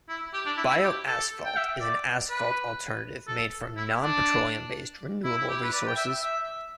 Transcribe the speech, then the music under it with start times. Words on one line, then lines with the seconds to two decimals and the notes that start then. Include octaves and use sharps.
Bioasphalt is an asphalt alternative made from non-petroleum based renewable resources.
0.09 E4
0.34 G4
0.46 D4
0.57 E4
0.70 E4
0.83 G4
1.07 A4
1.45 G5
1.57 E5
1.81 D5
2.29 B4
3.28 A4
3.76 E4
4.02 D4
5.24 E4
5.37 E4
5.48 G4
5.62 B4
5.73 D5
5.87 G5
5.97 E5
6.22 E5